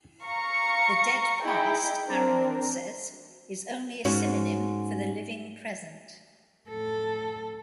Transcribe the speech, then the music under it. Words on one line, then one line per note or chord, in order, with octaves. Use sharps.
The dead past, Araman says, is only a synonym for "the living present".
F5 A#5 C#6 C#7
D#4 E4 G#4 G5
C4 D4 A#4
G#2 C#4 F#4
A2 A4